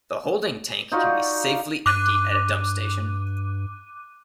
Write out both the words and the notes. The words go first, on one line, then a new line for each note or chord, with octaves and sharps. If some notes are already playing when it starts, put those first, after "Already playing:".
The holding tank can be safely emptied at a dump station.
D#4 F4 F#4 D5
G2 D6 F#6 D#7